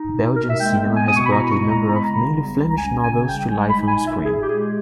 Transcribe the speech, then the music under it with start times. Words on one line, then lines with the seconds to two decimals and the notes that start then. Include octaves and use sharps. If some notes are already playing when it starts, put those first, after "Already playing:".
Belgian cinema has brought a number of mainly Flemish novels to life on-screen.
Already playing: D#4
0.11 B2
0.35 A#3 A#4
0.49 E5
0.60 G#3 G5
0.84 B3
0.96 G#5
1.08 B2 D#6
1.16 C#6
1.24 B5
1.32 E4 A#5
1.51 C#6
1.57 G#3
1.69 A#5
1.81 B3
1.87 A#5
1.95 B5
2.04 C#3 A#5
2.30 G3
2.54 C#2
2.70 A#5
2.78 C#4 G#5
3.03 C#3 G#5
3.27 G3 G5
3.51 G#3 G#5
3.70 B5
3.76 D#4
3.88 G#5
4.01 A#2
4.06 E5
4.24 A#2 G#4
4.42 G4
4.48 G#3 G#4